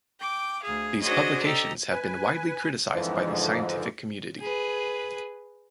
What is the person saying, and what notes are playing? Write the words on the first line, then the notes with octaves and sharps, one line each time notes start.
These publications have been widely criticised by the scientific community.
G5 D6
D2 G#4 F5
D4 F#4 G#4 C5 C#5 D#5
G4 A4 D#5 A#5
B4 G#5
F2 G#2 D3 E3 F3
G#4 B4